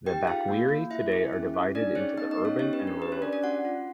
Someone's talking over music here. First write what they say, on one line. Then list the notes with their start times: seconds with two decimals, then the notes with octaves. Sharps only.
The Bakweri today are divided into the urban and rural.
0.06 D#4 G4 G5
0.27 F4 G#4 F5
0.48 A#3
0.70 A#3
0.90 E4 E5
1.12 G#4
1.33 C#4
1.54 C#4
1.75 D4 D#4 D5
1.95 C#4 G#4 C#5
2.17 B3 D#4 D#5
2.31 D#4 D#5
2.38 B3
2.45 C#4 C#5
2.59 C#4 G4 C#5
2.73 B4
2.80 D4
2.87 A#4
3.02 G4 B4
3.12 C#4 C#5
3.22 D4 D5
3.33 D4 D5
3.43 C#4 F#4 F#5
3.65 F4